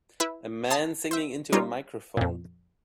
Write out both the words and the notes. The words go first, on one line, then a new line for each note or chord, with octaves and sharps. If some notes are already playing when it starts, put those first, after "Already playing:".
A man singing into a microphone.
E4 B4 E5
A5 C6 D#6
C5 E5
G3 C#4 D#4 F4
F2 A#2